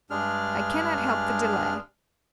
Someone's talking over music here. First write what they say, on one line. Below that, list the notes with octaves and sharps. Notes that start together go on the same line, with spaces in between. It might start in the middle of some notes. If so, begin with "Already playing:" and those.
"I cannot help the delay."
G2 G#3 D4 G#4 F6